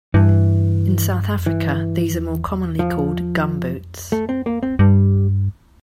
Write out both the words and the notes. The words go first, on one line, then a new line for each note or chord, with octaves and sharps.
In South Africa these are more commonly called "gumboots".
G2 E3
F2
G2 E3
E2
F3
F2
A3
C4
A#3
C4
G2 G3